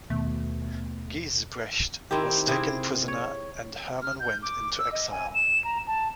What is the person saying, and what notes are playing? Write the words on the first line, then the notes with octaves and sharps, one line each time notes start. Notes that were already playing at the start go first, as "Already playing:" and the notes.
Gijsbrecht was taken prisoner, and Herman went into exile.
D#2 B2 A3
D#3 C4 E4 G4
C3 C4 E4 G#4
C#5
F6
G6
D6
E6
D#5
G#5
E7
A#5
A5